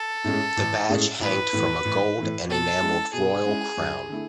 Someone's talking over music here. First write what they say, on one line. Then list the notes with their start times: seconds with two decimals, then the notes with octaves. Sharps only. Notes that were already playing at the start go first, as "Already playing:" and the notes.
The badge hanged from a gold and enamelled royal crown.
Already playing: A4
0.24 A2 G#3 C#4 G#4
0.57 A1
0.89 A2 G#3 C#4 G#4
1.20 A1 B4
1.53 A2 E3
1.85 A1
2.17 A2 E3
2.49 B2 A4
2.82 G#3 C#4 E4
3.13 B2 G#4
3.45 G#3 C#4 E4
3.77 F#2
4.09 D3 A3 E4